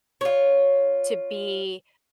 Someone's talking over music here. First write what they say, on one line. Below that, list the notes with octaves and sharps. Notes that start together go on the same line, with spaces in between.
to be
F4 C#5